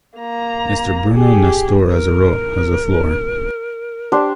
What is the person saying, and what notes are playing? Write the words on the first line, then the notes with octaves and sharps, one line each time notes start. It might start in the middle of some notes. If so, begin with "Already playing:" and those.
Mr Bruno Nestor Azerot has the floor.
A#3 A#5
G4 G#4
A#4
D4 G4 C5